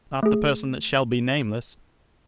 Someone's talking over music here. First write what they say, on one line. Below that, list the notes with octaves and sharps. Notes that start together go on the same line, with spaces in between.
Not the person that shall be nameless.
A3 G#4